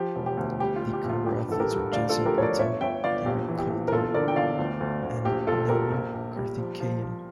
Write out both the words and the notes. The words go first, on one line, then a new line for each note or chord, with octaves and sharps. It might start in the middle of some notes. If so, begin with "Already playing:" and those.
The cover athletes are Jenson Button, David Coulthard and Narain Karthikeyan.
Already playing: F3 G4
E1
G4
D2
G3 G4
F4
G3
G4
A#1
F4
G2 G4
A1 A4
G4 A#4
G2
D2 D5 F5
F4 A4
F3
G4 A#4
F3 C#5
A#4 D5
G1 C#5 E5
G1 E5 G5
G1 D5 F5
A#1 G4
E3
G4
A#1
A#4
G1 F4 A4
D3 A#4 D5
G5
G1 D5 F5
D2
D2
D2
A#1 G4
A#1 F4 A4
A#1 G4 A#4
A#1
A#1
G3
F3
F3
F3